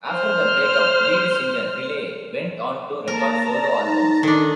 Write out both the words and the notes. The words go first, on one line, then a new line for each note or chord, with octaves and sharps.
After the breakup, lead singer Riley went on to record solo albums.
C5 F6
A#3 A#4 A5 A#5
D5
D#4
D#3 D4 A4